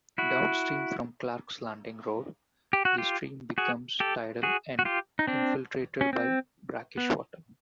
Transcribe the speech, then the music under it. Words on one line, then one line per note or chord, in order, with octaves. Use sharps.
Downstream from Clark's Landing Road, the stream becomes tidal and infiltrated by brackish water.
E4 F#4
G4
F#4
F4 G4
F#4 G#4
G4 A4
F#4 G#4
F#4
F4 G4
D#4
C4 D4
C#4
C4
B3